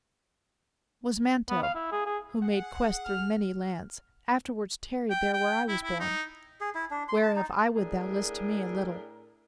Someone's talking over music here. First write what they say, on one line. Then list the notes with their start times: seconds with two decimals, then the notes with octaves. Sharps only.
Was Manto, who made quest through many lands, Afterwards tarried there where I was born; Whereof I would thou list to me a little.
1.50 B3
1.63 F5
1.75 E4
1.92 G#4
2.06 G#4
2.43 G#4 F#5
3.04 F6
5.10 G5
5.34 G5
5.68 E4
5.84 E4
6.00 D#4
6.61 G#4
6.75 E4
6.91 D4
7.09 C6
7.23 A5
7.36 D#4
7.76 A2 D4 G#4 A#4